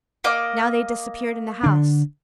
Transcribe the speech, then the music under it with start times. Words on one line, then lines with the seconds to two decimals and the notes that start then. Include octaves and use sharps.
Now they disappeared in the house.
0.24 A#3 D#5 D6
1.63 D3 D4